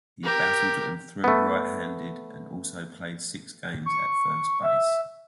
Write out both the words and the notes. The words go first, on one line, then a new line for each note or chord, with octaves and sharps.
He batted and threw right-handed and also played six games at first base.
G4 A#4
A3 B3
C#6
E5